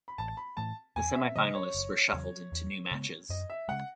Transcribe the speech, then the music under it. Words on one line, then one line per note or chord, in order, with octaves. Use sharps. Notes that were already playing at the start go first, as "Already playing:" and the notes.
The semifinalists were shuffled into new matches.
B5
A1 A5
B5
A2 E3 A3 A5
E2 G#5
E5
C#3 F#3 B3 D#5
C#5
F#1
E2 C#3 F#3
E2
C#3 G#3 B3
F#2 D#5
E5
C#3 G#3 F#5